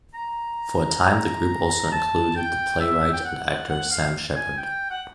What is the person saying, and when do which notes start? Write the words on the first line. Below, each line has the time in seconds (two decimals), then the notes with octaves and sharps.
For a time the group also included the playwright and actor Sam Shepard.
0.14 A#5
1.92 A5
2.36 G5
2.80 E5
3.13 G5
3.25 F#5
3.69 F#5
3.91 F5
4.36 G#5
4.57 G5
4.90 F#5